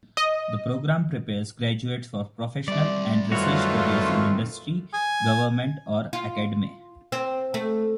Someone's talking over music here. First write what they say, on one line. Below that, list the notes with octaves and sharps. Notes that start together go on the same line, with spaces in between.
The program prepares graduates for professional and research careers in industry, government or academe.
D#5
G3 D5 E5
F#2 D#3 E3 A3 C4 F4 F#4 C#5
G#5
F4
C4
A3